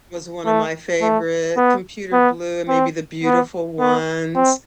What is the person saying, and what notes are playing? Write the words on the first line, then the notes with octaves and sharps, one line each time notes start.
was one of my favorite. Computer Blue, maybe The Beautiful Ones,
A3
A3
B3
B3
C4
B3
B3
C4